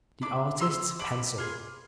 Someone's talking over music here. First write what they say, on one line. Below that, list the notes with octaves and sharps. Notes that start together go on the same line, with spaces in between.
The artist's pencil!
D4 B5 D6
F4 G#4 C6 E6
D4 B5 D6
F4 G#4